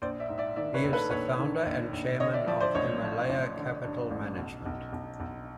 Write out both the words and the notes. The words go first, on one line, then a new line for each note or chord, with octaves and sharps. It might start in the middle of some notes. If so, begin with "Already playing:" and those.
He is the founder and Chairman of Himalaya Capital Management.
A#1 C5 D5
D5 E5
G#2
D5 E5
D#3 D5 E5
B4 C#5
A#1
A4 B4
A#1 B4 C#5
D#3
A#1
A#1
D3 C#5 D#5
D5 E5
F3 D5 E5
C5 D5
A1 C#5 D#5
F3
A1
D3
G2
A1
B1
B1
B1
B1